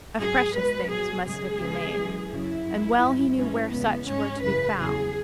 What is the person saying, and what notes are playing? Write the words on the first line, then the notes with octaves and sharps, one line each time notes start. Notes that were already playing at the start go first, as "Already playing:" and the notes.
Of precious things must it be made, and well he knew where such were to be found.
G#2 F#3 G#4
B2 G#3 B4
B2 F#3 G#4
F#2 C#3 G#3 G#4
E2 C#3 E3 G#3
F#2 E3 G#3
F#2 C#3 F#3 E4
F#2 F#3
G#2 F#3
G#2 E3 G#3 C#4
E2 C#3 G#3 B3
G#2 G#3 C#4
F#2 C#3 E3 B4
E2 C#3 F#3 G#4